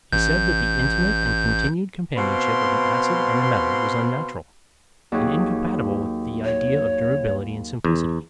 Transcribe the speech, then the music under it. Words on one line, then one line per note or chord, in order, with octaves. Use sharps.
He said that the intimate and continued companionship of an acid and a metal was unnatural, and incompatible with the idea of durability and simplicity.
A1 G6
B2 C4 B4 F5 C6
D#2 F#3 G#4
C#5
E2